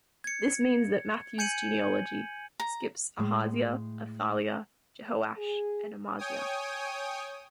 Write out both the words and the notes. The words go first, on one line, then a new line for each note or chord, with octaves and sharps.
This means that Matthew's genealogy skips Ahaziah, Athaliah, Jehoash, and Amaziah.
G#6 C#7
G#5 G6 G#6 C#7 D#7 F#7
A#5
A2 G#3
G#4
C#5 G5 G#5 D#6